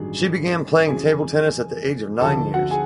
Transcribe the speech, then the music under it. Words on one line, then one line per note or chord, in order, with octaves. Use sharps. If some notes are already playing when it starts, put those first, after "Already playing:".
She began playing table tennis at the age of nine years.
Already playing: A1 G2 D#3 F#3 G#4
F2 C#3 E3 G#4 G#5
D2 D3 F3 A4 A5
F#4 F#5
G#4 G#5